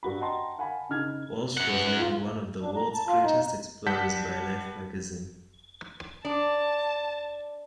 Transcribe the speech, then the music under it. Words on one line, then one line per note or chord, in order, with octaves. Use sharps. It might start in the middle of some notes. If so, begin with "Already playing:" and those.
Walsh was named one of the world's great explorers by "Life" magazine.
G2 F#4 B5
D#5 F#5 G5 A5 A#5 C6
F5 F#5 G#5 A5 B5
C#3 D#4 F6 G#6
F#2 F#5
B4
F4
D4
A#5
A5
F4
D#4
G3 F#5 A5 G6 B6
D4 A5